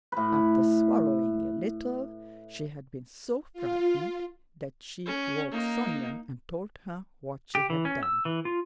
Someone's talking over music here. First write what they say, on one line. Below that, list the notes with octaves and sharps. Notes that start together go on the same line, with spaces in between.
After swallowing a little she had been so frightened that she woke Sonya and told her what she had done.
A2 B4
F4
C#4
A#3 D#4
G4
E3
C#4
E6
E3
F4